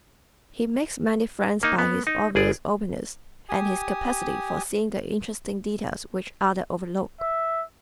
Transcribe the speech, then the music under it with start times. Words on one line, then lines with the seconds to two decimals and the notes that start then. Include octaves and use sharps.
He makes many friends by his obvious openness and his capacity for seeing the interesting details which others overlook.
1.63 A#3 D#4
1.78 B3
2.07 D#4
2.35 G1 G#4 D5
3.49 G4 G#5 D#6
7.21 E5